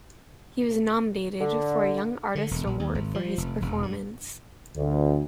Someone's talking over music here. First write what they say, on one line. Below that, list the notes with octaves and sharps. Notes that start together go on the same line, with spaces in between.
He was nominated for a Young Artist Award for his performance.
D3
D3
E1
A#1
D#2
G#1
F3
F1
E1
G2
D2